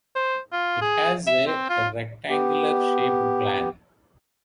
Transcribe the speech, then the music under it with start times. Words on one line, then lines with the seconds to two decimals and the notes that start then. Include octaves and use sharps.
It has a rectangular shaped plan.
0.15 C5
0.52 F4
0.82 G#4
1.27 E5
1.47 C4
1.69 F4
2.30 B3 G4